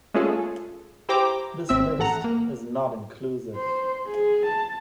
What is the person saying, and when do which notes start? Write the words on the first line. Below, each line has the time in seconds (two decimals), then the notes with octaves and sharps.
This list is not inclusive.
0.14 G#3 A3 C#4 F4 G#4 A4
1.09 E4 G4 C5 G5 A#5 D6
1.69 G#1 C4 E5
1.99 A1 A3 F#5 A#5
2.24 A#3
3.55 C5
4.07 G#4
4.45 A5